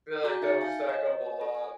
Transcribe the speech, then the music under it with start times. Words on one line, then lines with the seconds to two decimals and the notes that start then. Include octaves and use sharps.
Feel like that would stack up a lot.
0.24 F#4 G#4 G#5 A#5 D6 G6
0.42 D#4 E5 A6 C#7
0.61 F5 G#5 A5 G6
0.87 C#5 D#5
1.41 A4
1.55 G#5